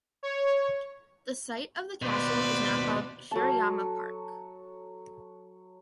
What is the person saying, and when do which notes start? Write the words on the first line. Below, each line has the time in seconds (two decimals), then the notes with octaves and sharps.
The site of the castle is now called Shiroyama Park.
0.23 C#5
2.02 D#2 B2 B4 C5 D5
3.31 F#3 A4 A5